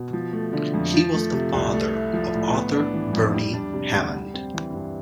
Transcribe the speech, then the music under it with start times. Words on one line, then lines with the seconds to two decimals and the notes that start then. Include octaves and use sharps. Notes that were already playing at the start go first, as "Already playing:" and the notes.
He was the father of Arthur Verney Hammond.
Already playing: B2
0.13 F3
0.33 A3
0.53 D3
0.74 F2
0.93 F3
1.14 A3
1.33 C3
1.54 C2
1.73 A3
1.93 E4
2.13 F3
2.34 A2
2.53 B3
2.74 D4
2.94 E3
3.13 F2
3.34 G3
3.53 D4
3.73 C3
3.94 D2
4.14 G3
4.34 C4
4.54 E3
4.74 G2